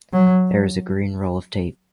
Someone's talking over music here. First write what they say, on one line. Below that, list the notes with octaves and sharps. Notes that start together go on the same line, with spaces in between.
There is a green roll of tape.
F#3